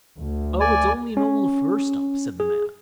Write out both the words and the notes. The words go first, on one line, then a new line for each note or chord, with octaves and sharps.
'Oh, it's only an old fir-stump', said the man.
D2
D5 G#5
C#4
G#4